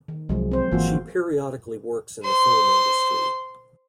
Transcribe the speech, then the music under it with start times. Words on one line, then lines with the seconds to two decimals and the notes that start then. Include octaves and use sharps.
She periodically works in the film industry.
0.08 D#3
0.29 C2 F3 F#3 G#3
0.52 C4 C5
0.72 G#1 E3 A#3 F4 F#4
2.23 C5 C6